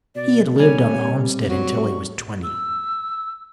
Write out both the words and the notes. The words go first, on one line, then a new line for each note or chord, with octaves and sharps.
He had lived on the homestead until he was twenty.
B2 D5
G3 C4 C#5 G#5
F#3 C#6
E6